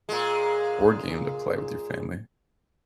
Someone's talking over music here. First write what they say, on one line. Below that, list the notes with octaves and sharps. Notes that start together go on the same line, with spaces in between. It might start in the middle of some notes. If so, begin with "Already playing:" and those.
board game to play with your family?
A#2 G#3